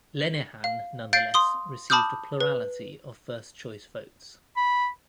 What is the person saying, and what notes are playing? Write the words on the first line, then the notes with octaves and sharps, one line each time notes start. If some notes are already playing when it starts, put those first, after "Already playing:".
Lenihan nonetheless received a plurality of first-choice votes.
F5
F5 G6 A6 C7 D7
C6 D#6 G7
A5 B5 D6 D#6 F6 G6
B4
B5